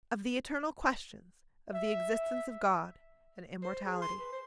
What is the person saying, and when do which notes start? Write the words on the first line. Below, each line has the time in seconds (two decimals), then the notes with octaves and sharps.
Of the eternal questions, of the existence of God and immortality.
1.74 E5
3.63 C5
3.85 G#4
4.02 C6
4.20 B4
4.33 C5